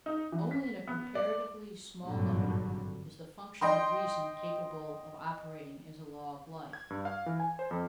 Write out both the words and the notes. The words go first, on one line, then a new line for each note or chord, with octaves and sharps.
Only in a comparatively small number is the function of reason capable of operating as a law of life.
D#4
E3
B6
B3
D5
G#1 G2 A#2 D3 F#3 G3
D#5 G5 C6
G#6
G2
F5
E3
G#5
C5
F2